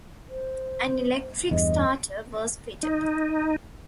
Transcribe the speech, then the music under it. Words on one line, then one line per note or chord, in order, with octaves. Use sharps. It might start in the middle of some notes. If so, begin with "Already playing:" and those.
An electric starter was fitted.
C5
E2 G2 E3 D#5
D#4